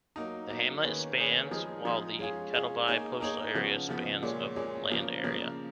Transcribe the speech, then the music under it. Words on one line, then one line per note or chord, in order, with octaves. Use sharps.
The hamlet spans while the Kettleby postal area spans of land area.
F#3 A#3 D#4
F#3 A#3 D#4
D#3 A#3 C#4 G#4 B4
D#3 A#3 C#4 G#4 B4
F3 G#3 D#4 G#4
F3 G#3 D#4 G#4
G#3 C#4 F4 G#4
G#3 C#4 F4 G#4
A#3 D#4 G#4 C#5
A#3 D#4 G#4 C#5
C#3 F3 B3
C#3 F3 B3
A#2 G#3 C#4
A#2 G#3 C#4
C#3 F3 A#3
C#3 F3 A#3